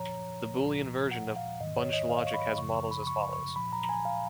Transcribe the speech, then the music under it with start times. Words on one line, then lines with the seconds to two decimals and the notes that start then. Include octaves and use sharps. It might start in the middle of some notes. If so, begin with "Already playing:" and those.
The boolean version of bunched logic has models as follows.
Already playing: A#2 F3 C#5 A#5
0.63 A#2 F3
1.11 F#5
1.36 F5
1.60 G#2 D#3 D#5
1.77 C#5
1.93 D#5
2.09 F5
2.27 C#6
2.34 B5
2.58 F#2 C#3 F3 C#6
2.75 C#6
2.91 B5
3.03 B5
3.07 C#6
3.33 C#6
3.56 A#2 F3 B5
3.73 A#5
3.84 A#5
3.89 G#5
4.05 F5